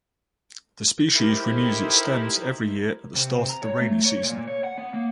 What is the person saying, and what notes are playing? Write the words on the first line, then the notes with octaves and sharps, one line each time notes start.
The species renews its stems every year at the start of the rainy season.
D#4 E4 G4 A4 A#4 C5
C3
A#5
C#5
A3
C#5
A#2
C#5
F#5
B3
A#3